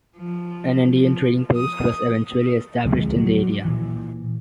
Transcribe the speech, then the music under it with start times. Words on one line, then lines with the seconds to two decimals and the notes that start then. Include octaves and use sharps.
An Indian trading post was eventually established in the area.
0.15 F3
0.97 F3
1.55 D#6
2.85 D2 C3 F3 G#3
3.19 F#3
3.65 A#2 E3